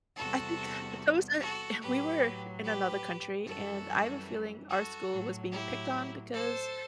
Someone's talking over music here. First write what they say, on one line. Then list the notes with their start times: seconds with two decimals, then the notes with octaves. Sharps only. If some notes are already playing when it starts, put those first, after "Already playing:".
I think it's almost a uh, we were in another country, and I have a feeling our school was being picked on because,
0.17 E2 C3 G3 F#4 A4
1.40 F#4 A4
1.81 A2 F#3 G4 B4
2.64 G4 B4
3.45 F#2 E3 G3 F#4 A4
4.69 F#4 A4
5.10 A2 F#3
5.51 E4 G4
6.33 A4 C5